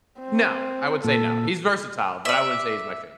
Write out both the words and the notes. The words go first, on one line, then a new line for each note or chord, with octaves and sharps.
No, I would say, "no." He's versatile, but I wouldn't say he's my favorite.
C4
A#2 A4
D5 E5